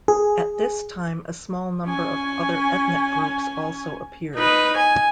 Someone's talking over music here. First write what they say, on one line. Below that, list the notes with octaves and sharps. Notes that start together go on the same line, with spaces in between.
At this time a small number of other ethnic groups also appeared.
G#4
C#4 G#5
D#4 B4
G#5